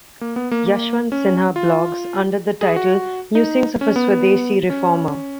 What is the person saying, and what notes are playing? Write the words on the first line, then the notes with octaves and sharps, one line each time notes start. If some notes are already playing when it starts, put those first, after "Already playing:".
Yashwant Sinha blogs under the title "Musings of a Swadeshi Reformer".
A#3
B3
A#3
A#3
C#4
F4
G#4
F#4
D#4
C#4
B3
B3
C#4